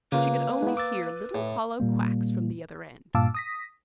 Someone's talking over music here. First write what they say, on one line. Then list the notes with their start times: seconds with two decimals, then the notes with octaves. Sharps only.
But she could only hear little hollow quacks from the other end.
0.12 C#3 A#3 F4 B4
0.62 G#3 B3
0.77 D6 E6 A6
1.35 A2
1.80 A#2 G3 A#3
3.15 G2 A#2 F5 A5 D6 E6
3.35 D#6 A#6 B6